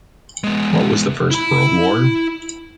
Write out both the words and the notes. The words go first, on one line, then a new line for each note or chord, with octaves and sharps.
What was the First World War?
G#3 B3
E4 B5